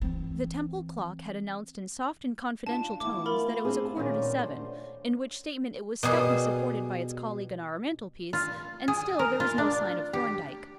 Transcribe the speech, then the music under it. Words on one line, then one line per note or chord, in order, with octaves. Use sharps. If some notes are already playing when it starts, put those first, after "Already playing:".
The Temple clock had announced in soft and confidential tones that it was a quarter to seven, in which statement it was stoutly supported by its colleague on our mantelpiece, and still there was no sign of Thorndyke.
E3 C4
D4 F4 A5
E3 A3 B3 E4 D6
F4 A#4 B5
C4 D4 G#4
A#2 D#3 C#4 C#5 D5
D3 C5
B2 G3 G#4
F4
G#4
A#4
F4
D4
G4